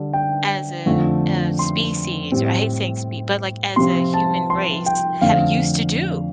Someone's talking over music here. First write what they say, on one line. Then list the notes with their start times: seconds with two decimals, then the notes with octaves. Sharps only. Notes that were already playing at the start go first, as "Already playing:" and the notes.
as a as species or I hate saying spe but, like, as a human race have used to do,
Already playing: D3 G3 D4
0.13 G5
0.86 F2 D3 A3 F4
1.59 C6
2.32 A2 G3 C4
3.76 C3 F3 C4 F4 C6
4.14 A5
4.50 C6
4.86 G5
5.22 F2 D3 A3 F5